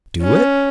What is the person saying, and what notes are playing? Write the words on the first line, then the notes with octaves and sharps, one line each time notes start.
Do it?
C#4